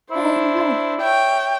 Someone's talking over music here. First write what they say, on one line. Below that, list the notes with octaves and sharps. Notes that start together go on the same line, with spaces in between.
Oh, my god.
D4 E4 C5
C#5 E5 G5